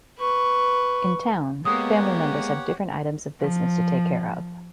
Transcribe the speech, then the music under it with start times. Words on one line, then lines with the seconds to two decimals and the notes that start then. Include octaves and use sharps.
In town, family members have different items of business to take care of.
0.18 B4 C#6
1.65 G#3 A#3 B3 G4 C#5 F#5 D#6
3.41 F3